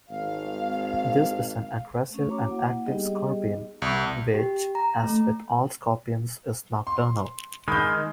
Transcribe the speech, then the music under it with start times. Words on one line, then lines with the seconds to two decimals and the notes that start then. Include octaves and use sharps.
This is an aggressive and active scorpion, which, as with all scorpions, is nocturnal.
0.10 G#1 F5
2.10 A3 C#4
2.28 F#4 C#5 A#5 D6
2.47 A#3 E4 F#5
2.85 G3 B3 D#4 G4 G#4 D#5
3.82 C2
4.34 G4
4.75 A#5
5.04 A3
6.87 C6
7.68 D#3 G#3 B5 G6